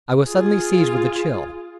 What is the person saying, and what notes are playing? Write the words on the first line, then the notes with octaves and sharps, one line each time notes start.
I was suddenly seized with a chill.
F4 G#4